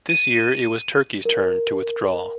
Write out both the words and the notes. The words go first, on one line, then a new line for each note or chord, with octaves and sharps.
This year it was Turkey's turn to withdraw.
D#7
A#4